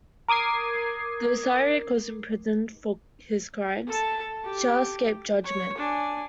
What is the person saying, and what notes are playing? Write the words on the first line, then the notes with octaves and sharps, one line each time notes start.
Though Cyric was imprisoned for his crimes, Shar escaped judgement.
A#4 D6 D#6 G#6 C7
A4 A5
G4
C#5
D4 G#5